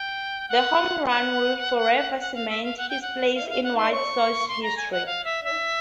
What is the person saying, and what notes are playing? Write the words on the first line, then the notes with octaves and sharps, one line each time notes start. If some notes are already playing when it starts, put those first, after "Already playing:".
The home run would forever cement his place in White Sox history.
Already playing: G5
F#5
F#5
F#5
F5
E5
F5
F#5
G5
F#5
F5
F5
F#5
C6
C#6
C6
A#5
G#5
F#5
F5
E5
E5